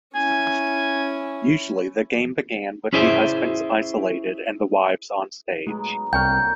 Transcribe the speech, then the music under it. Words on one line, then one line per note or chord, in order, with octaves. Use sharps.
Usually, the game began with the husbands isolated and the wives onstage.
C#4 E4 G#5
C#4 E4 G#4 C5 D5 E5
F#3 G#3 B3 D#4
C2 D3 A#3 G5 A#5 C#6 F6 G6